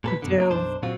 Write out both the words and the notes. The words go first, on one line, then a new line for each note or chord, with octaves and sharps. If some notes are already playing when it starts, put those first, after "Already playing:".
I do.
A#2 A4 B4
F#2 B2 D3
C#3 A#3
B1 F#2 D4 C5 A5
A#2 C#3 F#3 C4 F4 F#4